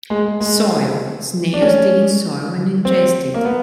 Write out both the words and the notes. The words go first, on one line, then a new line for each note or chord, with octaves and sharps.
Soil: Snails dig in soil and ingest it.
G#3
G#3
D4
C#4
C4
A#3
B3